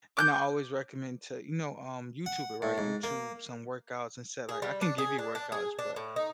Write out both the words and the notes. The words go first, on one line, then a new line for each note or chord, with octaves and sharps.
and I always recommend to you know, um, YouTuber, right? YouTube some workouts and say, like, "I can give you workouts, but
D6 F#6 G6
F#5
A2
G#2
A#3
G#4
G3
D4
G#4
D4
D4
G#4
D4
A2
D#4